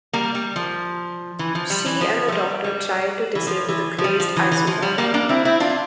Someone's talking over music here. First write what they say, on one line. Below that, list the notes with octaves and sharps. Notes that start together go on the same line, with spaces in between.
She and the Doctor try to disable the crazed isomorph.
G3 A#3
G3
F3
E3
F3
G3
E3
F3
A3
G3
G3
E3
F3
E3
F3
G3
F3
E3
E3
F3
G3
G3 A#3
A#3 D4
C4 E4
C4 E4
D4 F4